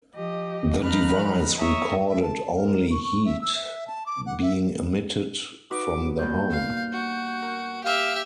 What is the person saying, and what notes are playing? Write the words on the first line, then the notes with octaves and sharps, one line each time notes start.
The device recorded only heat being emitted from the home.
F3 G4 D#5
F3 D#4 B5 F6 F#6
C#5 E5 A#5 C#6 D#6
E5
A5
A#4
C#6
C#6
E5
E6
E5
A5
D6
F#5
E5
D#4 F#4 B4 D6
G2 A#3 B3 G6
F5
F#4
A#4
G4 E5 F5